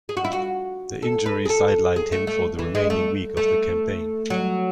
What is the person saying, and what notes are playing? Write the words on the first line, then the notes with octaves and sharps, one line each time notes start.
The injury sidelined him for the remaining week of the campaign.
G#4
F#4
E4
F#4
A4
B4
G#4
A4
G#4
A3
A3
E3
G#3
A3
A3
F#3